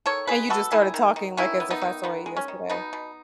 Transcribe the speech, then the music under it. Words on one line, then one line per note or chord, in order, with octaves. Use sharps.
and you just started talking like as if I saw you yesterday.
D#3 A4 C#5
G#3 G#4 B4
B3 F#4 A4
D#3 E4 G#4
D#3
D#3
D#3 C#4 E4
B3
B3 D#4
D#3
D#3 B3
G#3
C#4
D#3
B2 B3 D#4
B2